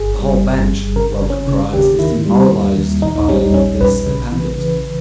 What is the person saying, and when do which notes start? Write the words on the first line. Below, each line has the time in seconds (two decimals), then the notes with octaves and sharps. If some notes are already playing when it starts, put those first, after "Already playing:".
The whole bench, Welcker cries, is demoralized by this dependence!
Already playing: G1 G#4
0.19 G3
0.44 G1
0.70 G1
0.96 C#3 A#4
1.22 C#3
1.30 C#4
1.47 C#3
1.73 D#2 G4
1.99 D#3 E4
2.25 G3
2.51 D#2
2.77 D#2
3.02 A#1 D#4
3.16 D#4
3.29 G3 C#4
3.42 D#4
3.54 A#1 C#4
3.80 A#1 B4
4.06 C#3
4.32 E3
4.58 C#3